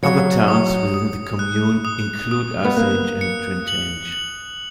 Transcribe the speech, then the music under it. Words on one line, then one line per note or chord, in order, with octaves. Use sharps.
Other towns within the commune include Ersange and Trintange.
F#3 C#7
D#6
D#6
F#6
D#6
D#6
B3
A#3 F#6
C#7
F#7
F#7